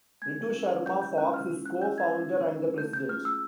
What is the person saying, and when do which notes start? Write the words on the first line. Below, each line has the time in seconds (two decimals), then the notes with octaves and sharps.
Ritu Sharma Fox is co-founder and the president.
0.22 G#3 G#6
0.54 C#4 E4
0.86 G#3 G6
1.02 G6
1.17 C#4 E4 F#6
1.34 F6
1.50 G#3
1.66 F#6
1.82 C#4 E4 G6
1.98 G#6
2.14 G#3
2.46 C#4 E4
2.78 A3 G6
2.93 G6
3.09 C#4 F4 G#4 F6
3.25 E6